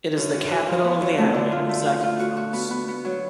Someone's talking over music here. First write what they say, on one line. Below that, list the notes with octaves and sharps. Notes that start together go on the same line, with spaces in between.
It is the capital of the island of Zakynthos.
F#2
F#2
F#4
F3
B3
F#2
A3
D3
F4
A3
F4
F4
F#4
F#4
B3
B3
B3
F#3